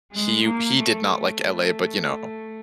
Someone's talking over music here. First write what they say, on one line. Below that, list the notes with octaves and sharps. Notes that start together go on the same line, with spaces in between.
he he did not like LA, but, you know
G#3
A#3
A3
A3